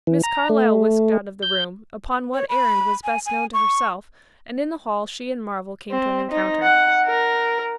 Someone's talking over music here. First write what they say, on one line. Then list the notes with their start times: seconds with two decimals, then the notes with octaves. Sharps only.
Miss Carlyle whisked out of the room; upon what errand was best known to herself; and in the hall she and Marvel came to an encounter.
0.07 E3
0.23 A#5
0.49 A3
1.43 G6
2.34 C#5
2.49 B5
3.04 G#5
3.26 G#5
3.54 C#6
5.91 C4
6.31 D#4
6.63 F#5
7.06 A#4